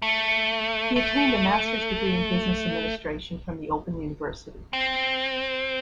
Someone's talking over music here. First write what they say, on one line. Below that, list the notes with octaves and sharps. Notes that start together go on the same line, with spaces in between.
He attained a master's degree in business administration from the Open University.
A3
A3
C4